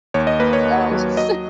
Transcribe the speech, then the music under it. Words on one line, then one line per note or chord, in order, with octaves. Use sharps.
um, so
D#2 C#5
D#5
A#3 B4
C#5
D#2
F#3
F#3 D#5